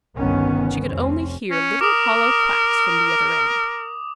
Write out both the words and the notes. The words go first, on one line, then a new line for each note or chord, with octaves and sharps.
But she could only hear little hollow quacks from the other end.
G1 C2 D#3 B3 C#4
F1 C4 C#4
C#4
A#4 D6 D#6